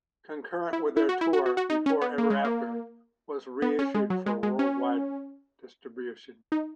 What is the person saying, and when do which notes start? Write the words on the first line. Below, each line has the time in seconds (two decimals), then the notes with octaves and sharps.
Concurrent with their tour, "Before Ever After" was reissued for worldwide distribution.
0.73 E4
0.97 E4
1.09 F#4
1.21 E4
1.33 F#4
1.46 F#4
1.57 F#4
1.70 D#4
1.86 C#4
2.02 B3
2.18 A#3
2.30 G#3
2.45 A#3
3.62 B3
3.79 C#4
3.95 G#3
4.10 F#3
4.26 G#3
4.43 G#3
4.59 C#4
6.52 D#4